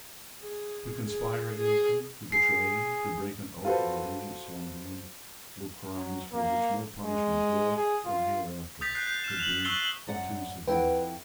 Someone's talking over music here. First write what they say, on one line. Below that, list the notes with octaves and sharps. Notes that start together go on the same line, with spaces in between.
To conspire against him, to betray him, to break an oath of allegiance sworn to him, were crimes for which no punishment here or hereafter could be too severe.
G#4
G#4
G#4
G#4 C7
F4 F#4 A4 B4 C5
F#3
A#3
G#3
G#4
F4
D#6 G6 A6 B6
F#6 G6 C7
G6
F6 E7
F7 F#7
C#6 E6 F#6 A6 C7 G7
F#2 D5 F#5
F2 E4 B4 F#5 G5